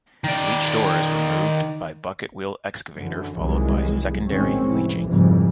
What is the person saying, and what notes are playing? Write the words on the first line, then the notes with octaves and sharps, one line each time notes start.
Leached ore is removed by bucket wheel excavator followed by secondary leaching.
D#3 D5
F#2 D3 E3
C2 F2 D#3 E3 F#3 G#3
A#1 A2 D#3 G#3 C4 C#4
F1 E3
F2 G#2 C#3 E3 F3 G3